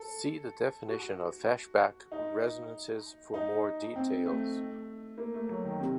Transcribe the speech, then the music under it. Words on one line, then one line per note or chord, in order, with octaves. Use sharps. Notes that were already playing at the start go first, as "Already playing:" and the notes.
See the definition of Feshbach resonances for more details.
Already playing: A4
F#4
D#4
D#4
C4
A3
A#3
A3
F#3
D#3
C3